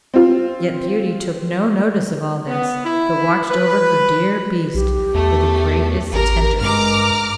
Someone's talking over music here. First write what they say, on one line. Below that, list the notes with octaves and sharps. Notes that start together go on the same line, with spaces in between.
Yet Beauty took no notice of all this, but watched over her dear beast with the greatest tenderness.
C4 F4
B3
E4
B4
B1 G4
E2 A3
G#1 G4 A#4
G2 G#3 A#5 D6 F6